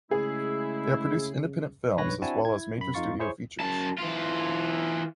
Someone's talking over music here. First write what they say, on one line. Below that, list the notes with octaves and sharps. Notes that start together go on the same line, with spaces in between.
They have produced independent films as well as major studio features.
C#3 G#3 A3 E4 G#4
B1 G2 B4 C#5 F#6 A#6
C4 D4 E4 F#4 G#5 A5
E4 G#6
F#2 B5
F2 D#4 F4 F5 C#6 A6
E4 G#4 C5 C#5 C#6
F#2 A5
E3 F4